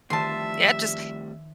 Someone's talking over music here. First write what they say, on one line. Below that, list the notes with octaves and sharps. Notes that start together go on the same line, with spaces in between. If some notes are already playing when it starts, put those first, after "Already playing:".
Yeah, it just
F2 A2 D#3 F3 G3 E5 A5 C6